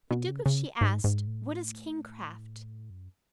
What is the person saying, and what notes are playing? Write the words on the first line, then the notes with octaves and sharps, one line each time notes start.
The Duke of She asked, What is kingcraft?
B2
C#3
C#3
G#2
G#2
A2
F#2